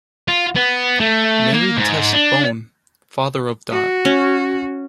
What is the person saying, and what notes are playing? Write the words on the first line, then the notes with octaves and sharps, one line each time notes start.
Married Tess Bone, father of Dot.
F4
B3
A3
A#3
G#2
D4
F#4
C#4